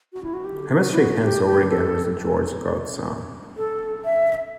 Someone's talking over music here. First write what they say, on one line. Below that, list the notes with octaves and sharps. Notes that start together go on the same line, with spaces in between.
I must shake hands over again with George's godson.
F#4
E4
F#4
G4
F#4
E4
F#4
G4
G4
A4
A4
E5